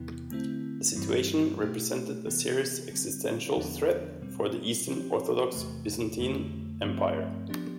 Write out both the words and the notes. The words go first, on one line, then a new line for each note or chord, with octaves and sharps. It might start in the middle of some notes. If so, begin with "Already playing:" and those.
The situation represented a serious existential threat for the Eastern Orthodox Byzantine Empire.
Already playing: E2 C3 E3 B3 E4
D3 A3 C4 E4
G2 E3 G3 C4 E4
B2 A3 E4 G4
C3 E3 B3
D3 G3 C4
E2 D3 F3 B3 D4
B2 G3 C4
F3 C4 G4
E2 C3 E3 A3
F2 D3 A3
G2 F3 A3 C4
F3 B3 D4 G4